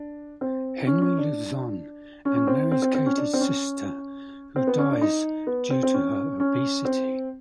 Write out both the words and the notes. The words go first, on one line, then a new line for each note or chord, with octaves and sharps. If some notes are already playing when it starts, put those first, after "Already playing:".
Henry lives on and marries Katy's sister, who dies due to her obesity.
Already playing: D4
C4
C#4
C#4
D4
C#4
C#4
C4
C4
C4
C4
C#4
D4
C4
C#4
C4
B3
C#4
D4
D#4
B3
C4
C4
C#4
C#4
C4